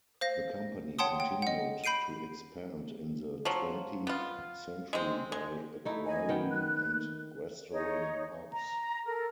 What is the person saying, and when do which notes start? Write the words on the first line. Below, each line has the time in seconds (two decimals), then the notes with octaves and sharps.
The company continued to expand in the twentieth century by acquiring and restoring pubs.
0.21 C5 F5 A#6
0.99 C#5 F#5 G5 A5 C6 D#6
1.20 G5
1.42 D#5 F#5
1.84 B5 G6 C7 D7 D#7
3.45 F3 F#3
4.07 B3 F4
4.93 G#3 C4
5.32 G#3
5.85 A3 D#4 E4
6.05 D#5 G#5
6.29 D#3 B3 G5
6.50 F#6
7.71 D#4 C#5
8.52 A#5
9.06 A4 A#4